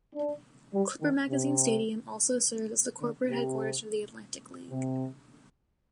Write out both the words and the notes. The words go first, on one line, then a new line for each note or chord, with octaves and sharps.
Clipper Magazine Stadium also serves as the corporate headquarters for the Atlantic League.
D4
G3
D#3
C3
D3
C3
C3